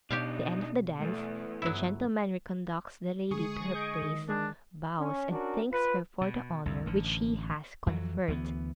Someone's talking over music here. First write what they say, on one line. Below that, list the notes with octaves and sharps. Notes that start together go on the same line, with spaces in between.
At the end of the dance, the gentleman re-conducts the lady to her place, bows and thanks her for the honor which she has conferred.
B2 D4 D#4 G4 C#5 F5
E2 A3
G1 F#3 E4
D3 G#3 G#4 C#6 D#6
D#5 G6 C#7 D7
D#3
G#3 D4 G#4
C#4
C#4 D4 F#4 A#4
F4 B4
B2
C2 F2
A1 D3
F2 E3 F#3
D2 E3 G3 B3